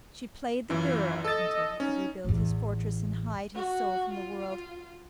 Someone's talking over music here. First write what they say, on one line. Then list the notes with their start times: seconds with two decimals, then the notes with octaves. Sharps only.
She played the girl, until he could rebuild his fortress and hide his soul from the world.
0.70 F#2 E3 F4
1.24 A4 D#5 A6
1.80 C#4 D#4
2.25 A1 E2
3.55 F#4
4.13 F4